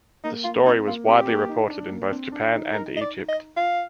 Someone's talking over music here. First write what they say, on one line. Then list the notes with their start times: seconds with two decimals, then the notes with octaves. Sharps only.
The story was widely reported in both Japan and Egypt.
0.24 A#3 D#4
0.44 A#3 F4
0.65 C4 D#4
0.86 A#3 F4
1.07 C4 G4
1.28 A#3
1.48 D#4
1.70 D4
1.90 A#3
2.07 D4
2.10 C4
2.32 D4
2.52 D#4
2.73 A#4
2.96 D#5
3.01 D5
3.28 D#5
3.56 F4 F5